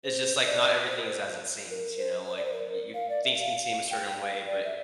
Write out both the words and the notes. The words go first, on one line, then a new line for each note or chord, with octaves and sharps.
It's just, like, not everything is as it seems, you know, like, y you things can seem a certain way, but,
C5
D5
C5
A#4
C5
A#4
A#4
C5
C5
D5
C5
A#4
F5
D5
E5
F5
F5
G5
F5
D5
E5